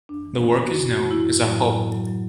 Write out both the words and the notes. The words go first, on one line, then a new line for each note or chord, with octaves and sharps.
The work is known as "Akhob".
F#2 D4
E3
E3
E3
F#4
F#2 E4
F#2 F#4
E3
E4
F#2
A2
F#3
A2
F#3
F#3
F#3